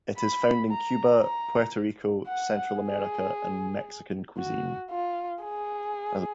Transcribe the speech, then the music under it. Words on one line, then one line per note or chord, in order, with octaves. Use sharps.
It is found in Cuba, Puerto Rico, Central America and Mexican cuisine.
B5
A#5
A#5
F#5
G#4
F#4
F4
G#4